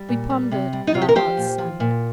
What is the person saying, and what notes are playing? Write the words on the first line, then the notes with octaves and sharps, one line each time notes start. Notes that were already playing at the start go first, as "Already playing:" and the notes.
We pondered, and our hearts sank.
Already playing: G3
A#2
G3
C3
G3
D#4
C3 F4
G4
A#4
F3 G4 C5
A#2
F3
A#2